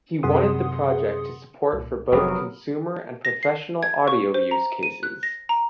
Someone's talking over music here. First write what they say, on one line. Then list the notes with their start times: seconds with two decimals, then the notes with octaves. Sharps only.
He wanted the project to support for both consumer and professional audio use cases.
0.23 F#2 C3 G#4 F#5 C6 D#6
1.73 C2 A#2
2.12 F1 F#3 B3 C4 F#4 A#4
3.25 A#6
3.43 C7
3.83 G#6
4.08 C#6
4.34 C5
4.51 A#5
4.83 D#7
5.03 F#6
5.23 A#6
5.49 A#5